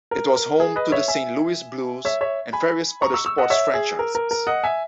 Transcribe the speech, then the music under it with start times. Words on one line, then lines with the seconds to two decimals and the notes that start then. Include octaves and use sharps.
It was home to the Saint Louis Blues and various other sports franchises.
0.11 A#4
0.36 A#4
0.60 G#4
0.76 B4 D#5
0.92 C#5 E5
1.08 E5 G#5
2.05 C#5 E5
2.21 C#5 E5
2.53 G#5 B5
3.02 A#5 C#6
3.14 C#6 E6
3.26 C#6 E6
3.38 D#5 F#5
3.50 C#5 E5
3.74 G#4
3.99 A#4
4.15 A#4
4.31 A#4
4.47 D#5 F#5
4.64 E5 G#5